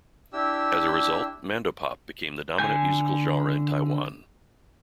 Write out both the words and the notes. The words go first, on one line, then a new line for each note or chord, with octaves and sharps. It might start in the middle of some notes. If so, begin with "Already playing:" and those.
As a result, mandopop became the dominant musical genre in Taiwan.
D4 E4 G4 E6
D3 G#5 G6